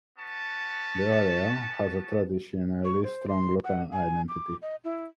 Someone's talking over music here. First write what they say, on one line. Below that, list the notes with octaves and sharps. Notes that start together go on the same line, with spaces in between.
The area has a traditionally strong local identity.
B3 C#4 F#4 A5
C#6
C5
C6
F#5
G#5
D6
D#5
E4